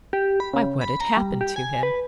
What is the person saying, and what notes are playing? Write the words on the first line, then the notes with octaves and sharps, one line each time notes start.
Why, what had happened to him?
G4
B5
C#3
B5
A#5
G3
G4
G#5
B4